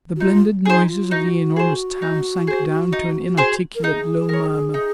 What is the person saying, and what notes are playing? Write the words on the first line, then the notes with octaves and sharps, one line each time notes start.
The blended noises of the enormous town sank down to an inarticulate low murmur.
F#4
D#4 F4
D#4 G#4 C5
F4
D#4 F#4
G#4 C5
D#4
G#4 C5
D#4
G#4 C5
A#4
D#4 G#4
A#4 C#5
D#4